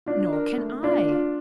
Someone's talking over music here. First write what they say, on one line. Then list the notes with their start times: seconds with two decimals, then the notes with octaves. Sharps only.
"Nor can I."
0.07 D4 F4
0.33 A#4
0.58 A3
0.83 D4 F4
1.08 F4